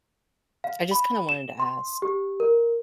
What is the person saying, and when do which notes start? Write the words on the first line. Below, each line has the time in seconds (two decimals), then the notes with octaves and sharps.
...I just kinda wanted to ask
0.64 F5
0.91 B5
1.29 E7
1.60 C6
2.02 G4
2.40 A#4